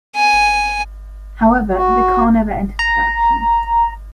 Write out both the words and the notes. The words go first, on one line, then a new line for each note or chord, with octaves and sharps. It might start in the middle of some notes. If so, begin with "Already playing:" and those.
However, the car never entered production.
G#5
F#4
A#5